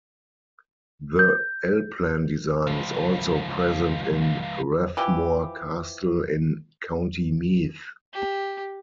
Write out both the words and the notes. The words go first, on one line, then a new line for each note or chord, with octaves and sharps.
The L-plan design is also present in Rathmore Castle in County Meath.
G6
C#2 F3
E3 F3 G4
G4